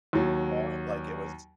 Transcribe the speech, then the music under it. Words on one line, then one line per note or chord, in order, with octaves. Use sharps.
You know? Like, it was
D#2 F#3